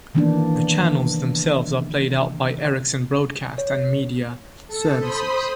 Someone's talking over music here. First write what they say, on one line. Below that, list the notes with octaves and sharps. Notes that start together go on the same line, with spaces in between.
The channels themselves are played out by Ericsson Broadcast and Media Services.
D#3 E3 A#3 B3 D4
C#5
A4
C5 B5 C6 D#6